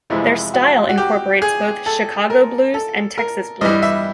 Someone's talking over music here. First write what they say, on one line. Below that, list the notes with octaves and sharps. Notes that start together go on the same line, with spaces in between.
Their style incorporates both Chicago blues and Texas blues.
F2 C3 E3 G#3 E4
F#4
F#4
G4
G#4
A4
A#4
A4
A#4
G2 E3 G3 D#5
E5